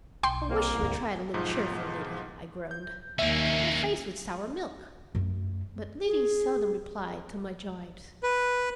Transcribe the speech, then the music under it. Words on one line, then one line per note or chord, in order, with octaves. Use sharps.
"I wish you would try to look cheerful, Liddy," I groaned, "your face would sour milk." But Liddy seldom replied to my gibes.
B1 G5 C6
C2 A#3
D2 G#2
B1 G#2 F3
G6
D#2 A#3 C#4 E5 D7
F#2 A3
G#4
B4